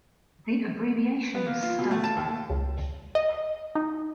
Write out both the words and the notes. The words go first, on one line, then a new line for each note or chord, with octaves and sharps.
The abbreviation stud.
B3
A#3
F4
B2
A3
A5
D#2
C#2
D#5
D#4